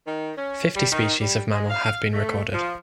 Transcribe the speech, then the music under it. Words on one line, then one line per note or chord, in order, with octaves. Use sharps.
Fifty species of mammal have been recorded.
D#3
C#4
G3
D#3
G3
G#3
F5
A3
F3